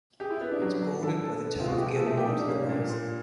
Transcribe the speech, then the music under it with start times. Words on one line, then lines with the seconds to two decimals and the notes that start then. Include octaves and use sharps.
It is bordered by the town of Gilmore to the north.
0.20 G4 G#4
0.30 E4
0.41 B3
0.51 D4
0.62 F#3 D4
0.82 F#3
1.03 A4
1.24 A4
1.45 B3
1.60 F4
1.66 G#3 F#4
1.77 G4
1.86 F3 G#4
1.97 A4
2.06 A3 G#4
2.17 G4
2.27 D4 D#4
2.38 D4
2.48 A#3 C#4
2.58 D4
2.69 A#2
2.90 A#2